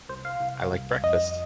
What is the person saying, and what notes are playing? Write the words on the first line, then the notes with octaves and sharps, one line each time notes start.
I like breakfast.
C2 C5
F5
C2
C2
F2 D#5